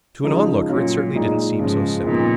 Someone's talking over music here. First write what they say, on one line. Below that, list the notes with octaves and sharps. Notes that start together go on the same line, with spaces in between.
To an onlooker it certainly didn't seem so simple.
C#3 F3 G#3 D#4
A#2 F#3 C#4 F4
A#2 G#3 D#4
G#2 C#3 F3 G#3
A#2 C#3 F3 B3 D#4